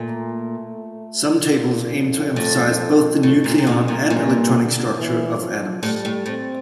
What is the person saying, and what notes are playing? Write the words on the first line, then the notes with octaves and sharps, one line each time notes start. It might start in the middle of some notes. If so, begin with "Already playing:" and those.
Some tables aim to emphasize both the nucleon and electronic structure of atoms.
Already playing: A#2 A3
A#2
F2
A2
A2
A#2
C3
A#2
A#2
G2 A#2
D3
E3
F3
A2 G3
A2
A2 C4